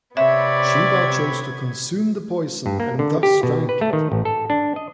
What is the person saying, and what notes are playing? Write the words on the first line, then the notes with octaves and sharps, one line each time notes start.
Shiva chose to consume the poison and thus drank it.
C3 B3 C4 C#5 D5 E5 B5 G#6
G2
A#3
D3
G4
B2
B4
A3
D#3
A1
A4
D4
D#5